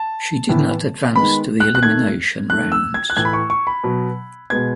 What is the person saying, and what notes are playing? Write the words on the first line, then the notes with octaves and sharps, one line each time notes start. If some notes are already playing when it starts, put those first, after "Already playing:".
She did not advance to the elimination rounds.
Already playing: A5
A2 E3 B3
D#3 G#3 B3 B5
F#6
F#6
D#3 A3 G#6
D#3 A3 F#6
E6
G#6
F#6
A2 E3 A3 G#6
B5
C#6
C#6
B5
B2 F#3 B3
B2 G#3 B3 G#6